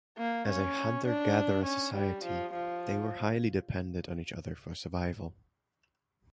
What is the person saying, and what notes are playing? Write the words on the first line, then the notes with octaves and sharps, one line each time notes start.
As a hunter-gatherer society, they were highly dependent on each other for survival.
A#3
C#4
D4
C#4
G3
F3
F3